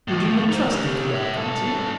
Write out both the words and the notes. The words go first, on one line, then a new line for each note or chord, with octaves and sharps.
"Would you not trust the Cavalcanti?"
D#2 A2
D#4 C5
G4 A#4
C#5 E5
G2 A4